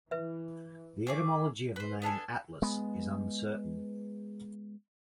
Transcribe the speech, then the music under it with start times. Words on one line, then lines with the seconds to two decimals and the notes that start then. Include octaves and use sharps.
The etymology of the name "Atlas" is uncertain.
0.11 E3 B4 E5
1.07 A3 G#4 D6
1.76 B4 C5
2.02 B3 D4 A4 G#5
2.62 G#3 B3